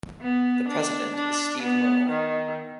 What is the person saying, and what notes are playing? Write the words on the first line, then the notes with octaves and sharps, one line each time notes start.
The president is Steve Murrell.
B3
D4
D4
B3
D#3